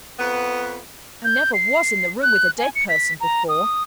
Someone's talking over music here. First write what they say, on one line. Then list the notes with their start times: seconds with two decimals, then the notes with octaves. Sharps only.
'I never was in the room with a dead person before.'
0.19 F2 B3
1.25 G6
1.54 C7
2.23 F#6
2.59 G#5
2.75 C#7
2.89 B6
3.20 A#5
3.49 D#6